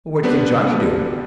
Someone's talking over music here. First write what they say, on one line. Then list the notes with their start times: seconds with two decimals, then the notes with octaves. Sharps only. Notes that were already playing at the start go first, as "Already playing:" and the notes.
"What can Johnny do?"
0.23 G3 B3 C4 D4 B4